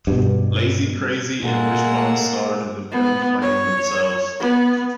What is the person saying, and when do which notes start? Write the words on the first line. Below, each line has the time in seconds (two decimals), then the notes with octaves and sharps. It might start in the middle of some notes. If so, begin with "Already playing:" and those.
Layzie, Krayzie, and Wish Bone starred in the film, playing themselves.
0.07 G2 B2
1.43 A#2 G#3 A#3 A4 F#5
2.91 B3
3.42 C#5
4.40 B3